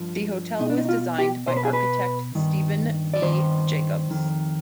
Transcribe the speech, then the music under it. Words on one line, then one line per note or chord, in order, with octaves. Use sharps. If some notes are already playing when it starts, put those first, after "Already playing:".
The Hotel was designed by architect Stephen B. Jacobs.
Already playing: G2 F3
B2 D#4
D4
D#4
F4
G4
B2 C5
B4
G#4
B4
G2 D#3
D5
G2 D#3 C5
F2 D#3